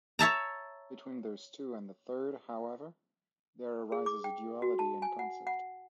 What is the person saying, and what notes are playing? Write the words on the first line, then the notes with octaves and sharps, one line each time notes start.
Between those two and the third, however, there arises a duality in concept.
C#5 E5 A5 A#5
G#4
D6
G5
F#4
A5
G#5
F#5
F#5